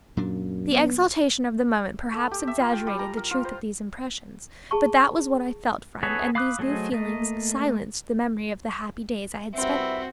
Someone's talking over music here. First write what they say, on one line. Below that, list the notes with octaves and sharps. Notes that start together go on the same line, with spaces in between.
The exaltation of the moment perhaps exaggerated the truth of these impressions, but that was what I felt, friend, and these new feelings silenced the memory of the happy days I had spent with you.
F#2 A#2 F#3 D4
B3
A3
G4
E5
F4
G5
G3
A#5
A#4
F4
C5
G#4 A5 C#6
B3 G#4 A4 B4 C#5
F5 B5 D6 D#6 F#6
F#3 A3 G#4 C5 D#5
A3 A#3 D#5
C2 C4 F#4 B4 E5